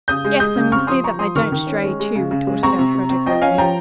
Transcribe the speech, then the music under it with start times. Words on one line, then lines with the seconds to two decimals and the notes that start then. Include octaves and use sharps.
"Yes, and we'll see that they don't stray, too," retorted Elfreda grimly.
0.08 C#3 D#6 G6
0.25 G#3
0.40 G#3 D#6 G6
0.56 C#3
0.72 C4 C#6 F6
0.87 F3 C6 D#6
1.04 F3 A#5 C#6
1.19 F3 C6 D#6
1.35 D#3 C#6 F6
1.52 D#3
1.67 C#4
1.84 G#3
2.00 G#3
2.15 C#3
2.31 C#3
2.47 G#3
2.63 C4 A#5 C#6
2.79 C3
2.95 C3
3.10 C4
3.26 F3 D#5 G5
3.42 C#4 F5 G#5
3.58 F3 G5 A#5